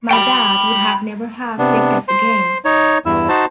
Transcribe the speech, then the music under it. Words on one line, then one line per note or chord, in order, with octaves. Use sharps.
My dad would have never have picked up the game.
G5 B5
C3 B3 D4
C5 C6
D#4 C#5
E2 G2 E4 E6
D#4 F#4 C5 A5